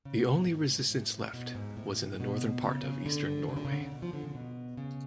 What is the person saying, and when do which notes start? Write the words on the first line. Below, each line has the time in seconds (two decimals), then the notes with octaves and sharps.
The only resistance left was in the northern part of Eastern Norway.
0.05 C#3
0.19 B2
0.34 A2
0.47 G#2
0.91 A2
1.34 B2
1.55 G#2
1.77 A2
2.20 B2
2.63 C#3
2.83 C#3
3.06 D3
3.49 C#3
3.56 D3
3.65 C#3
3.72 D3
3.81 C#3
3.92 B2
4.02 F3
4.13 D3
4.24 C#3
4.35 B2
4.77 C#3